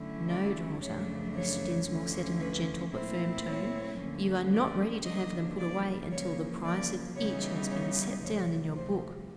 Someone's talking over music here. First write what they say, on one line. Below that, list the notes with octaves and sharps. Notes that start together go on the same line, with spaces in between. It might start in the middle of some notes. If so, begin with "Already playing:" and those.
"No, daughter," Mr. Dinsmore said in a gentle but firm tone; "you are not ready to have them put away until the price of each has been set down in your book."
Already playing: D3 F#3 A3 C#4 E4
D5
F#2 C#3 F3 A3 D4 C#5
C#5
D2 D3 F3 A3 C#4
B4
A#2 F#3 A3 C4 E4 C5
C#5
D2 D3 F3 A#3 C#4
D5
C#3 F3 A#3 D4 D#5
D5
C#3 F3 A#3 C#5
D5
C#3 E3 G3 B3 D#4 C#5
C#5
D2 C3 F3 C#5
C5